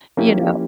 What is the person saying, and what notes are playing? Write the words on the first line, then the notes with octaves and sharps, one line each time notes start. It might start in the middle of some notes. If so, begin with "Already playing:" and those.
you know.
F3 A#3 C#4 E4 G4